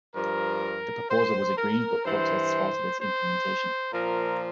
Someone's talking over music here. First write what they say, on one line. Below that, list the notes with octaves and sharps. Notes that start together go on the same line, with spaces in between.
The proposal was agreed, but protests halted its implementation.
G2 F3 A#4
C5
A#4
G2 E3 C5
C5
A#2 F3 A#4